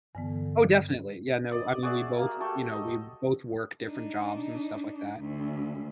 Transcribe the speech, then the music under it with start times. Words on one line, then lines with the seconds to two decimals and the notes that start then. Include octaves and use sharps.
Oh, definitely. Yeah. No. I mean, we both, you know, we both work different jobs and stuff like that,
0.15 G2 D3 E3 B3
1.52 D5 D#5
1.83 F#4 G#4 D5 E5
2.18 A#3
2.40 A3 G4 A4
2.72 D#5
3.84 D4 D#4
5.19 D2